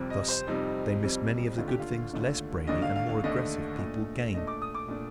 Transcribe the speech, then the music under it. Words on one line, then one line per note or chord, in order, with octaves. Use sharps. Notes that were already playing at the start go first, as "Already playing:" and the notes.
Thus they miss many of the good things less brainy and more aggressive people gain.
Already playing: F2 C3 G3 C4
D#5
C5
F2 C3 G3 C4 D#4
F2 C3 G3 C4
D#2 D3 A3 D4 F4
G4
F4
D#2 D3 A3 D4
D#2 D3 A3 D4 D#5
F5
F5
F5
D#2 D3 A3 D4 D#5
A#2 A3 D4
A#2 A3 D4 D#5
D6
D#6
D6
A#2 A3 D4